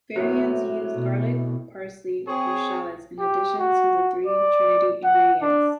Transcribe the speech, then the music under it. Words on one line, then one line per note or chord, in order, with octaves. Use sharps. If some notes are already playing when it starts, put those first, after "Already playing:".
Variants use garlic, parsley, or shallots in addition to the three trinity ingredients.
A2 C3 F#3
B2
C4 G#4 C#5
G4
F#4
D5
F#5
D4